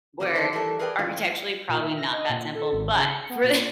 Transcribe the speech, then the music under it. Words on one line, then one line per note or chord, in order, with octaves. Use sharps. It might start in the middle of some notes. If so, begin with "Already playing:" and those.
Where architecturally, probably not that simple, but for i
D3 E3 F#3 A#3 B3
F#2 D3 D4 A4 C5
E3 G3 A3 A4 A#4
G#4 A#4 B4 D5 G5
A2 E3 C#4 F4
A2
A#2
E5
A#6
D#5
A#2
A4
G#1
C#3
C#7
B3
A#2